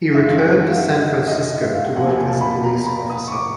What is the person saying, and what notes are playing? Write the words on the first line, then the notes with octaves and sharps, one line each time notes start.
He returned to San Francisco to work as a police officer.
F#2 D#3 G#3 E5
F5
F#5
F#5
F#5
F5
E5
F5
D#5
E5
D#5
D#5
E5
F5
F#5
E2 C3 F3 A#3 F#5
G#5
A5
B5
A#5
B5
D#6
C#6
D6